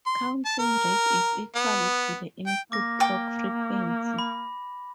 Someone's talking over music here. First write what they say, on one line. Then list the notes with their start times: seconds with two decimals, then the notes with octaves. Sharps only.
Counting rate is equal to the input clock frequency.
0.06 C6
0.46 A5
0.59 A#4
1.55 B3
2.47 G5
2.72 A#3 D6 A#6
3.00 G5 D6 A#6
4.19 B5